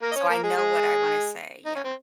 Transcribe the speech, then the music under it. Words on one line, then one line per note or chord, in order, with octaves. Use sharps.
so I know what I wanna say, yeah.
A#3 A#4
D#5
C#4 C#5
A#3 A#4
G#3 G#4
G#3 G#4
D#4
C#4
C4